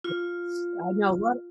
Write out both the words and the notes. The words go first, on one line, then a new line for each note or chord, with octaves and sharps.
Yes. I know lotta
F4